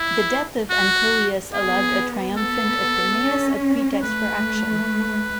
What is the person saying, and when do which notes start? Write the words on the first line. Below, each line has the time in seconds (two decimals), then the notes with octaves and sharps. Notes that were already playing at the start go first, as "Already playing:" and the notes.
The death of Antyllius allowed a triumphant Opimius a pretext for action.
Already playing: E4
0.70 F#4
1.53 B3 G#4
2.37 B3 A4
3.20 C#4
4.03 A3 B4